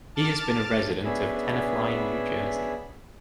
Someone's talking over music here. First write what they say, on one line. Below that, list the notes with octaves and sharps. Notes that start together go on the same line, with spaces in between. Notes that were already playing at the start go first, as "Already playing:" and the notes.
He has been a resident of Tenafly, New Jersey.
A5 D6 F6 A6
B3 C#4 D4 G#4 E5 B5